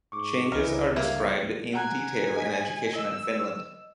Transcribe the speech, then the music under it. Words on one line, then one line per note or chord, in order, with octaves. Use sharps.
Changes are described in detail in Education in Finland.
G#2 C#6 D6
C#2 E3 A#4 D#5
G1 A#3 E5 G#6
F#5 G#5 A#5 F#6
D#5 B6
D#5 E6